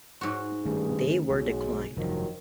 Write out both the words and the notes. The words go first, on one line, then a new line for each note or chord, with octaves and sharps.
They were declined.
G#2 F#4
G2 D#3 G#3 A3 C#4 G#4
B1 F#3 G#3
F1 G2 D#3 F3 F#3